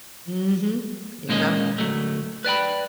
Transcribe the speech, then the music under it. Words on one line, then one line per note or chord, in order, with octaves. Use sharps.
Mhm, yep.
A#2 G#3 A#3 C#4 D#5
D2 F#3 A3
B4 D5 G5 B5